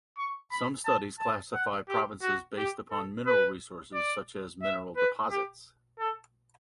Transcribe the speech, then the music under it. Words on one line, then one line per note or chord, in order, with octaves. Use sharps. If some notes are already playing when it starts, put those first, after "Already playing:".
Some studies classify provinces based upon mineral resources, such as mineral deposits.
C#6
B5
A5
A5
F#5
G4
F#4
G4
A4
B4
D5
E5
B4
G4
A4